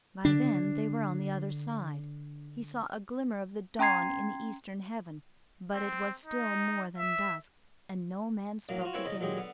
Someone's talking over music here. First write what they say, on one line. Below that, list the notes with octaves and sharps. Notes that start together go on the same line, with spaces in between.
By then they were on the other side he saw a glimmer of the dawn in the eastern heaven, but it was still more than dusk, and no man spoke again.
D3 D4
C#4 G5 A#5 C6 G#6 C7
C4
D#4
E5
A1 F#3 A#3
F4 F#4
A#3 C4 E4 B4 C#5 G#5
E2 C#3 D#5 B5
A#2 F#3 G#3 G4 G#4
D3 B3